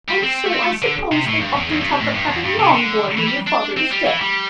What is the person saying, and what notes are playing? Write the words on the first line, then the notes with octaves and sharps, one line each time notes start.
And so, I suppose, they often talk of having Longbourn when your father is dead.
G3
C4
A3
C4
A3
D3
C3
A2
G2
E2
E2
G2
C3
A2
G2
E2
G2
C3
D3
E3
G3
D4
C4
G3
E3
G3